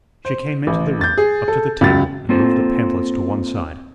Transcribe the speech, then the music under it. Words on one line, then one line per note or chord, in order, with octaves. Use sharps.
She came into the room, up to the table, and moved the pamphlets to one side.
C5
A1
G6 A6
G#4
A4
C#2 F#2 A6
A#3 C4 F4 A4 C5